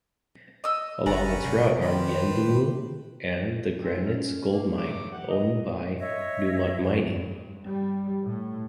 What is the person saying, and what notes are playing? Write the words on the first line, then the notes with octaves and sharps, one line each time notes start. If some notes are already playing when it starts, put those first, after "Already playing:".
Along its route are Yuendumu and The Granites gold mine owned by Newmont Mining.
D#5 E6
G1 C#4 D5 F#5 G#5 A#5 B5
C3
D#3 G4 B4 C5
A3 C4 C#4 D#4 F4 A4
C#4
A#3
G2 C#3 F#3 A3 D6
G4 F#5
D#5
C#5 D#5 E5
G2
G3
A2